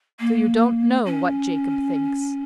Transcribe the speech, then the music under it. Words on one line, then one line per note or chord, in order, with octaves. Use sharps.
"So you don't know what Jacob thinks?"
A#3
C#4